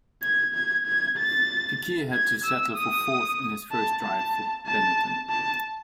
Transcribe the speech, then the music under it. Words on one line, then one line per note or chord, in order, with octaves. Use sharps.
Piquet had to settle for fourth in his first drive for Benetton.
G#6
G#6
G#6
A6
G#6
E6
D#6
A5
A5
A5
A5